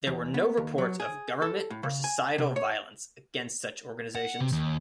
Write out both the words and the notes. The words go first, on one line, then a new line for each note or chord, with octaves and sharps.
There were no reports of government or societal violence against such organizations.
E2
B3
D#2
F#3
G#4
A4
A2
C#3
G#5
C3
C#5
F#5
C3
D#2